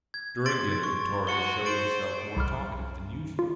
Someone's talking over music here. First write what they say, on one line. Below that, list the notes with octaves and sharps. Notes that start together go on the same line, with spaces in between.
During dinner Torres showed himself more talkative than usual.
G#6
C6 A6 D7
C#6
F#4 C#7 G7
C5 A6 D7 F#7
C2 B5 D6 F6
F4